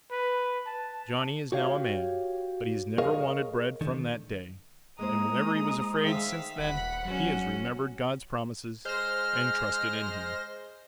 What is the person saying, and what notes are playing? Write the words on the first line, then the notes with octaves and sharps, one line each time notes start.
Johnny is now a man, but he has never wanted bread from that day; and whenever he was afraid since then, he has remembered God's promises, and trusted in him.
B4
A5
F#4 G4 C#5 F5
G#4 A#4 C#5 D#5 F5
D3 D#3
G#3 A#3 E4 C5 A#5 D#6
D#3 A3 C5 E5 F5
D#1 F#5 B5
E1 F#3 C#4 F#4
G#3 C5 F6 A#6